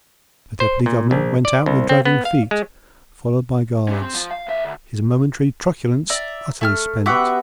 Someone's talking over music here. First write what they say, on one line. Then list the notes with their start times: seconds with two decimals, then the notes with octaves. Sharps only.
The Deputy-Governor went out with dragging feet, followed by guards, his momentary truculence utterly spent.
0.60 C5
0.86 A#2
1.11 A#1
1.45 D5
1.66 C2
1.89 C4
2.05 B3
2.25 F5
2.51 G#3
3.88 C#4 G4
4.02 C4
4.14 F3
4.31 F5
4.48 C#2 E5
4.64 D2
6.10 D5 E5 A#5
6.61 A3 G#5 F6
7.06 B3 F#4 G4 E5 F#5